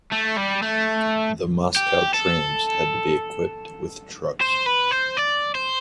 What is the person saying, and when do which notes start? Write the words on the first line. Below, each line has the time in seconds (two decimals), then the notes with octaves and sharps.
The Moscow trams had to be equipped with trucks.
0.12 A3
0.38 G3
0.63 A3
1.76 G4
2.14 A4
4.41 C5
4.66 B4
4.91 C5
5.17 D5
5.55 C5